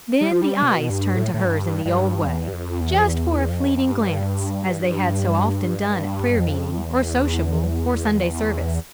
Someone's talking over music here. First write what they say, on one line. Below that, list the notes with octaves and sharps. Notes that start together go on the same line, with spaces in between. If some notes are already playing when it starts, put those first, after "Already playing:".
Then the eyes turned to hers in the old way, just for a fleeting glance, as they had so often done at prayer-meeting, or sociable, or Sunday service.
G3
F3
G3
B2
G2
A2
A2
G2
G2
E2
G2
F2
E2
F2
E2
F2
G2
F2
E2